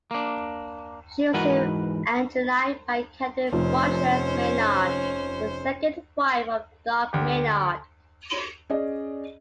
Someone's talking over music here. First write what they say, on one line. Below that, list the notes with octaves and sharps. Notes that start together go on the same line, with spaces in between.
She was named Angeline by Catherine Broshears Maynard, the second wife of Doc Maynard.
A#3 D4
G#2 E3 F#4 A#4 B4 F#5
F1 C#4 F4 C5
D2 G4
C#4 G#4 D5 D#5